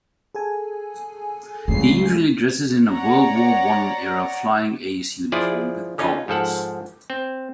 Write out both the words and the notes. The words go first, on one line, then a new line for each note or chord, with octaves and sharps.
He usually dresses in a World War One-era flying ace uniform with goggles.
G#4 A4 G#5
C#2 G3 A3 C7
C#5 D5 F#5 A#5
F3 E4 F4 G#4 D5
D3 C#4 D#4 F4
G#2 F3 A4 F#5
C4